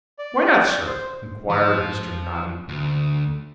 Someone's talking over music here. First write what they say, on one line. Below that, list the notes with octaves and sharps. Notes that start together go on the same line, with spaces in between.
'Why not, Sir?' inquired Mr. Noddy.
D5
C5
F3
D2